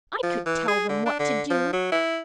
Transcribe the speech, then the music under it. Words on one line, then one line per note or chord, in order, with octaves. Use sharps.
"I could tell them what to do."
F3
E3
G#4
D3
D4
D3
F3
F#3
E4